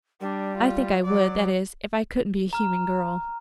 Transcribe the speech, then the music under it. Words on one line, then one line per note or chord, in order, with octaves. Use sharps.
I think I would--that is, if I couldn't be a human girl.
G3 D4
F4
F#3 D5
A#5 F6